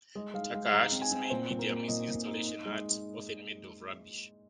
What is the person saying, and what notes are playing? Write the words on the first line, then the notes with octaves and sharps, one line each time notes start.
Takahashi's main medium is installation art, often made of rubbish.
G#3 D#5
G#3 F5
G#3 F5
G#3 A#5
C4
G#5
C4
A#2 C5
A#2
A#4
A#3
A#2 D#5
A#2
D#4
D#4
G#3